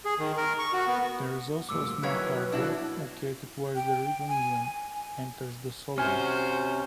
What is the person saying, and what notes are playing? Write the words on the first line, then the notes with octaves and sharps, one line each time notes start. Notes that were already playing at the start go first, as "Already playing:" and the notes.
There is also a small harbour, located where the River Meon enters the Solent.
G#4
D#3
A#4
C#6
F#4
B3
D2 G2 A#2 D6 E6
D#3 F#3 C#4 E4 B4 C#5 G#6
B1 D4 E4 F#4
G5
G#5
C3 C#4 F#4 C5 G#5 F6